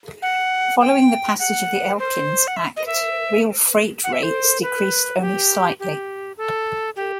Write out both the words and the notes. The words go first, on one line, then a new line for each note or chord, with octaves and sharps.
Following the passage of the Elkins Act, real freight rates decreased only slightly.
F#5
G5
F#5
C5
F#5
E5
D#5
E5
F#5
E5
C5
B4
G4
G4
A4
G4